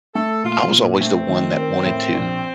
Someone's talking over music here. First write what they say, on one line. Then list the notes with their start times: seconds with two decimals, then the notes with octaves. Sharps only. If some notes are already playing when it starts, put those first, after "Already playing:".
I was always the one that wanted to
0.15 A3 A4
0.44 A#2 F4
0.72 A#2
1.00 A3 C4
1.29 D#3
1.57 A#4
1.86 A2
2.14 A#1